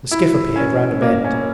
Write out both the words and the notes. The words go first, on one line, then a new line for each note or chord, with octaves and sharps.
The skiff appeared round a bend.
E4
C#4
A#3
C#4